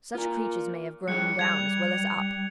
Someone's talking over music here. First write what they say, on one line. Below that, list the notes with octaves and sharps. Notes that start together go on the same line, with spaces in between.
Such creatures may have grown down as well as up.
F4 A#4
G3 G#4 C#5 F#6 C#7
G3 G#6 F7